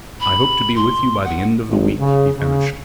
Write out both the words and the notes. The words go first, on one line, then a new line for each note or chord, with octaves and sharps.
"I hope to be with you by the end of the week," he finished.
B5
C6
F#5
G#1
C#3
C#3